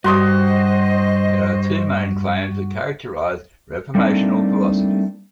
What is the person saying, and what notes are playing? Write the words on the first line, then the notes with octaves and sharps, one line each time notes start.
There are two main claims that characterise reformational philosophy.
G2 F#4 C5 D#5 C6 D#6
G3 A3 A#3 C4 D4 D#4